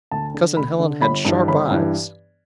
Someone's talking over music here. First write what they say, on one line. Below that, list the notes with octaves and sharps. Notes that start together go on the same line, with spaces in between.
Cousin Helen had sharp eyes.
D2 A5
D3
D2 B5
D3
G1 B5
G2 E3
G1 B5
G2 E3